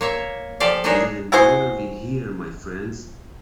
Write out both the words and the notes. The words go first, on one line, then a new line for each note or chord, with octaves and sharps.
Then why are we here, my friends?
A#3 C#5 E5
F3 G4 A4 D5 F5
D4 D#4 F#4 G#4 A#4 C#5
E4 F#4 G#4 C5